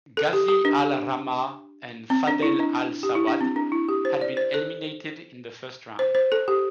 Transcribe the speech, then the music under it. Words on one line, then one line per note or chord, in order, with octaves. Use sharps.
Ghazi Al Rahma and Fadhel Al Sawad had been eliminated in the first round.
A4
G4
G4
D4
C4
D4
E4
D4
G4
E4
D4
C4
D4
E4
G4
C5
D5
C5
A4
C5
C5
A4
G4